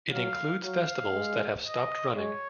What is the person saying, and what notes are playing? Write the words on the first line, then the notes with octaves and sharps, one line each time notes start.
It includes festivals that have stopped running.
F#3 F5
F#3 F5
G#3
D#5
G#3 C#5